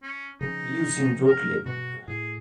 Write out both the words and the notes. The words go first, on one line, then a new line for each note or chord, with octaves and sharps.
Lives in Brooklyn.
C#4
C#3 F3 C#4 D#4
A#4
B2 F#4
A2 G#4